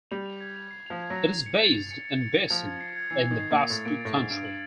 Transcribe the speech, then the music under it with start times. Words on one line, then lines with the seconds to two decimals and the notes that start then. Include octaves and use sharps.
It is based in Beasain in the Basque Country.
0.11 G3 F7
0.26 F7
0.41 G#6
0.56 F7
0.71 C7
0.86 F3 F7
1.01 G#6
1.10 F#3
1.16 F7
1.30 F7
1.46 C#7
1.61 A6
1.75 F7
1.91 C#7
2.05 C#7
2.21 C#7
2.35 F7
2.50 F3 F7
2.66 G#6
2.81 C7
2.96 G#6
3.10 E3 C7
3.26 G#6
3.31 D#3
3.40 C7
3.51 A#2 F7
3.70 A2 A6
3.85 A#2 D7
4.00 A2 A6
4.15 G#2 A6
4.30 G2 D7
4.45 F#7